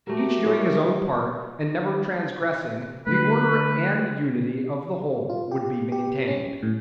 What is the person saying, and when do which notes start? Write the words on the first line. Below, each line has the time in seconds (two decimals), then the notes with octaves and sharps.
Each doing his own part, and never transgressing, the order and unity of the whole would be maintained.
0.07 A3 F#4 G4 A#4
0.44 C#4 E4
0.60 A#4
3.07 D3 A3 B4
5.29 F4
5.51 G4
5.92 G4
6.28 C#4
6.63 A2